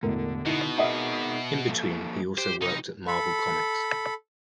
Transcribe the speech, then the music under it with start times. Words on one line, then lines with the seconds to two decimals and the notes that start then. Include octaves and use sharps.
In between he also worked at Marvel Comics.
0.03 E1 A2 D3 A#4
0.46 B2 D#4 E4
0.78 D#4 G#4 A#4 D#5 E5 F#5
1.69 F3 A#3 A4
2.38 G4 C5
2.62 C3 F3 F#3 D#4
3.08 A4 B5